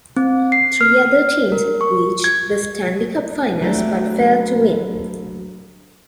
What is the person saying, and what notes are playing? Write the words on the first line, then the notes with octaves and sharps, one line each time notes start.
Three other teams reached the Stanley Cup Finals, but failed to win.
C4
C7
F6
A#4
C#6
G#6
F#3 A3 B3 C4 D4